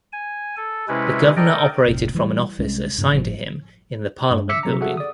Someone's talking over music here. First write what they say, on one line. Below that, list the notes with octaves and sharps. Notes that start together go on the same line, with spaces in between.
The Governor operated from an office assigned to him in the Parliament Building.
G#5
A4
C3 G#3 C#4 E4 B4
A4 A#4 D5 D#5 G5
E1 B1 A2 C3
E3 G3
C2 G#3 C#4
G2 B2 D#3
G1 A2 F3
G2
E5 D6 E6 B6 C#7
C3 F#3 A#5
F#4 G#4 A4 E5 F#5
D5 D#6